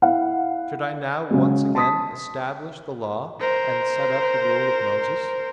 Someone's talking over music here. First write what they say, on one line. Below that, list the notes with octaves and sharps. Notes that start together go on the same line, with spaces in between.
Should I now once again establish the Law, and set up the rule of Moses?
E4 F5 F#5
C#3 F#3 G#3
A5 C6 D#6 B6
A#4 C5